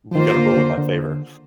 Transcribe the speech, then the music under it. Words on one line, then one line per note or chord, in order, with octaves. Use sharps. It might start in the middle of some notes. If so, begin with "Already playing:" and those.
you gotta rule in my favor."
F3
D#3 A#3 F4 C5
D3
D3
D3